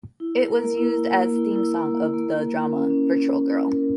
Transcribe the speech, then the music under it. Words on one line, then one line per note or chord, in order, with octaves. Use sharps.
It was used as theme song of the drama "Virtual Girl".
E4
A#4
A#3
E4
A#3
A#3
E4
E4
A#3
A#3
A#3
E4
A#4
C#4
C#4
E4
E4
E4
A#4